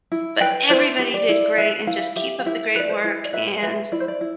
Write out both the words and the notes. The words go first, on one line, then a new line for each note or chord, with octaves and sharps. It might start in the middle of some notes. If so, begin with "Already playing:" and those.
but everybody did great and just keep up the great work," and
E4
B4 G5
E4 C5
G4
D5
E4
B4 E5
E4 F5
G4 E5
F5
E4 E5
B4 D5
C5
E4
D5
B4 E5
B4 E5
E4 D5
C5
D5
E4